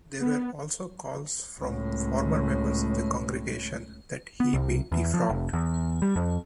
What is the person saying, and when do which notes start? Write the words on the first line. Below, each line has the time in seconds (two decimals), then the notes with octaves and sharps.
There were also calls from former members of the congregation that he be defrocked.
0.22 B3
1.61 C#2 A2
4.40 B3
4.54 C2
4.92 E2
5.14 F3
5.29 F1
5.53 E2
6.02 G3
6.16 F2